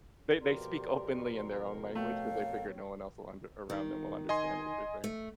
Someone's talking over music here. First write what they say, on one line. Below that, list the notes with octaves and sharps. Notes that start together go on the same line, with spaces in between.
They they speak openly in their own language 'cause they figure no one else will un around them will understand what they're saying.
F2 B2 G4 A#4 D5 C6
A3 C#5 F5 G5
D#3
D#5 G#5 C6
A3